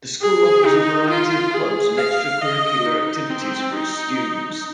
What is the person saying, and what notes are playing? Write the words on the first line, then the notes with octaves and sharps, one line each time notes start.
The school offers a variety of clubs and extra curricular activities for its students.
G#4
D#4
F4
G#4
F5
D#5
D#4
C4
D#4